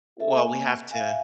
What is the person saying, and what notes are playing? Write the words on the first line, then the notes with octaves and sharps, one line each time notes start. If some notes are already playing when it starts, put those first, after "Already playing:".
Well, we have to
A4 E5
A#3 G#5
E5 F5 G#5